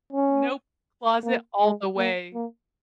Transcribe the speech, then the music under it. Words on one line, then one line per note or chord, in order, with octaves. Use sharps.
Nope, closet all the way.
C#4
A#3
G#3
A#3
A#3